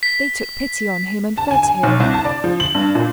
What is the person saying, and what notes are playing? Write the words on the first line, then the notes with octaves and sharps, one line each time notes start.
They took pity on him and fed him.
B6
A5
G#5
G#5
B1
C2
A5
D5
F3
F#7
G2
A#2